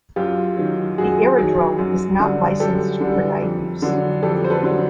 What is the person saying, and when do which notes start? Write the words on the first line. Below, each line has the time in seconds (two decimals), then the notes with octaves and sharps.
The aerodrome is not licensed for night use.
0.16 F#2 F4 G4
0.57 D#3 F#3
0.98 F#2 F#4 G#4
1.38 D#3 F#3
1.79 F#2
2.20 D3 G3
2.60 F#2 G4 A4
3.00 D3
3.06 G3
3.42 F2
3.82 D3 F#3
4.23 F2 G4 A4
4.44 C5
4.50 A4 B4
4.63 D3 F#3